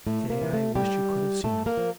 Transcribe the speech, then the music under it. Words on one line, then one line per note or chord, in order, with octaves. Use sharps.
Say, I wish you could have seen him.
A2 A3
A#2 A#3
E3
A3
A2 G3 G4
E3
A2 A3 A4
A#3 A#4
F3